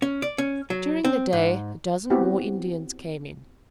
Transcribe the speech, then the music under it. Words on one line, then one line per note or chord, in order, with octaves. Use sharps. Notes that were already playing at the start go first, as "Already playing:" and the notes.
During the day, a dozen more Indians came in.
C#4
D5
C#4
F#3
C4
G#2
B3 C4 E4 F#4 G4